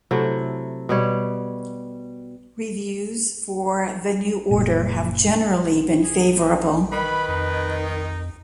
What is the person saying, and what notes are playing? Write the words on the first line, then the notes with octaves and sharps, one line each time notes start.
Reviews for "The New Order" have generally been favorable.
C3 F#3 A3 E4
B2 G3 C#5
F#1 A#2
G#4
D#4
D#3 B4 B5
F2 D#4